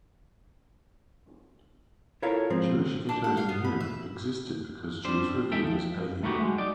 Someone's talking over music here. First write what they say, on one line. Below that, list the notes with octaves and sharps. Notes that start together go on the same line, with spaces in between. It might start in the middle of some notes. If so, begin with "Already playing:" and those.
Jewish ghettos in Europe existed because Jews were viewed as alien.
E4 F4 A4 A#4 C#5 F5
G#2 F3 C4
D4
F#5
F5
B3
B5
E5
G3 D4 C5
G#3 D#4 A4 E5 G5
F3
A3 B3 D#4 F#4 G4
F#3 G#3
D#4 D5